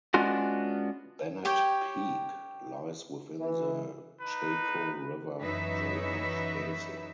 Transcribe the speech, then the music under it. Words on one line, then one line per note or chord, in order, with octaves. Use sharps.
Bennett Peak lies within the Chaco River drainage basin.
G#3 B3 C#4 D4 F4 F#4
G4 C#5 G5
E3
D#4 B4
F#2 E3 D#4 B4 C#5 E5